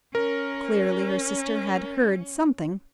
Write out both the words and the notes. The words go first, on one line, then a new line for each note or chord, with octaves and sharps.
Clearly her sister had heard something.
C#4 A#4